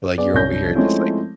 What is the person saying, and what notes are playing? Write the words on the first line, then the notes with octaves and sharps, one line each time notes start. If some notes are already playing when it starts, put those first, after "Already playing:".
Like, you're over here just, like,
B3 G#4 D5
C2 C#4 D4 G6 A#6
F3 G#3 A3 C4 C#4 E4